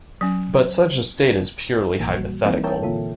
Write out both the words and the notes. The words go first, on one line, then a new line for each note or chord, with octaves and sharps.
But such a state is purely hypothetical.
F#3 C#4
A#1 A#2 D#3 E3 A#3
G3 F#4
E3 G3 A#3 C4 D#4 E4
A#4 C#5 E5 G5 A5
A#2 D3 E3 A#3 F4 A4